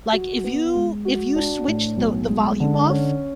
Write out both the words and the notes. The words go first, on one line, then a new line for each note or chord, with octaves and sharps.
like, if you if you switched the the volume off
F#4
B3
G#3
F#4
D4
A2
B1
G#3
D3
C#4